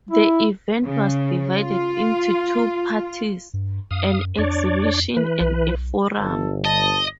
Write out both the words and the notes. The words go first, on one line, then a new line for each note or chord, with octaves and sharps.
The event was divided into two parts: an Exhibition and a Forum.
E4
C#3
F4
G2
F#2 F5 D#6
F2 D4 C#5 D5
E3 B4
B1
G1 A4
D#5 A5